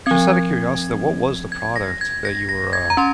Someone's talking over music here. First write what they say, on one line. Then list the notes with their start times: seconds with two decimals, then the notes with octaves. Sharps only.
just outta curiosity, what was the product that you were, uh,
0.06 F3 C4 G#6
1.52 G#6
1.76 A#6
2.01 G#6
2.25 A#6
2.49 A#6
2.73 G#6
2.90 A#5
2.97 C#4 C6